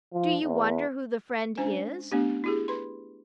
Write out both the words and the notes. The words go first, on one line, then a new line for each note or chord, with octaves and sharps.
Do you wonder who the friend is?
F3
E2
G#3 C#4 D4 C5 G#5
A3 B3 D4 G4
E4 G4 G#4
B4 B5 C6